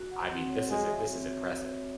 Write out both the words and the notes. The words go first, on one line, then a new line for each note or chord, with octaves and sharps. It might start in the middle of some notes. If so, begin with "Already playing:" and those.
I mean, this is i this is impressive.
Already playing: F#4
F#5
C4
C#5
G#3 F#4
E5
C4
C#5